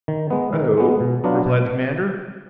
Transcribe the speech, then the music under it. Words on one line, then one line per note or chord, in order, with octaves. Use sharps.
"Oh?" replied the commander.
D#3
G#3 B3
D#3
G#3 B3
B2
F#3 B3 D4 F4
B2